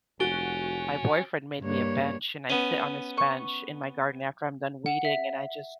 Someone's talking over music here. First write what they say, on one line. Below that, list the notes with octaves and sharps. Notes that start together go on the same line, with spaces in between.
my boyfriend made me a bench and I sit on this bench in my garden after I'm done weeding and I just
F1 C#4 F#4 A6 D7 G7
G2 A#3 C#5
B3 C#4
C#6
F#5
E5